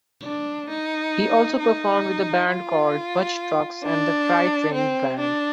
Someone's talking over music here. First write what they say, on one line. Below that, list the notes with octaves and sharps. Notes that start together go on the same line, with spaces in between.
He also performed with a band called Butch Trucks and The Freight Train Band.
D4
D#4
D#4
F4
D4
C4
D4